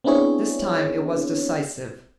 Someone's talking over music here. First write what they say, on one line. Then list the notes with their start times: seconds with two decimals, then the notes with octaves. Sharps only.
This time, it was decisive.
0.04 B3 C4 D4 E4 G#4 C#5